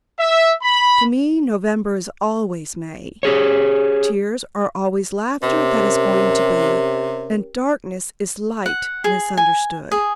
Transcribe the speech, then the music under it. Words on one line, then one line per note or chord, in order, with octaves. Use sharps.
To me November is always May, tears are always laughter that is going to be, and darkness is light misunderstood.
E5
B5
G4 G#4 C#5
C3 C#4 G4 A#4
F#5
G#4
G#5
G#4